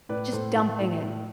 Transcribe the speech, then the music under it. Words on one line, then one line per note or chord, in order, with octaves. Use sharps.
just dumping it?
A2 B4 D5
A2 A4 C5
A2
A2
A2